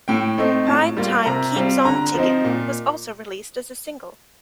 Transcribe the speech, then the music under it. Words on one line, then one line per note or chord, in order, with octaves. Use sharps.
"Prime Time Keeps on Tickin'" was also released as a single.
A2 G5
A3 C4 D#4
A2 A5
G3 A#3 F4
C3 A#5
G3 C4 F4
D3 A#5
F3 C4 D#4
A#2